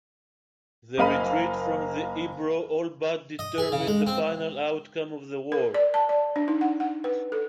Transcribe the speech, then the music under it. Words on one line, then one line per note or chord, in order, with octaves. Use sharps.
The retreat from the Ebro all but determined the final outcome of the war.
F#1 A#3 D#5 F5 B5 D#7
D#5
G#4
C#3
G#3
C4
A#4
D5
A5
D5
D4
D#4
F#5
F#5
B4
A4